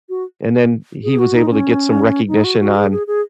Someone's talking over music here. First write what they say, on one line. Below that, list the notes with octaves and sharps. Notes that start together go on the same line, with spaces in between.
and then, he was able to get some recognition on
F#4
G#4
F#4
D#4
C#4
D#4
F#4
F#4
G#4
G#4
G#4